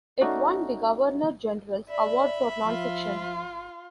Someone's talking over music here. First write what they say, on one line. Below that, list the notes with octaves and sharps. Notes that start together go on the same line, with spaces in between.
It won the Governor General's Award for non-fiction.
A3 C#4 D#4 F#4 D5
D5 E5 B5
F3 F4